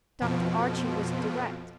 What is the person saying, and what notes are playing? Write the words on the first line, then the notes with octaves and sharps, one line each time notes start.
Dr. Archie was direct.
F2 B2 F3